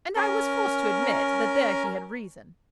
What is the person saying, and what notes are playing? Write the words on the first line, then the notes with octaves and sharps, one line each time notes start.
And I was forced to admit that there he had reason.
C#4 A#4